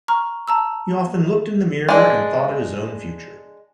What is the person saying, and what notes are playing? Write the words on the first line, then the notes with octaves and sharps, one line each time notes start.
He often looked in the mirror and thought of his own future.
A#5 C#6 F6
A5 A#5 E6
G#3 D4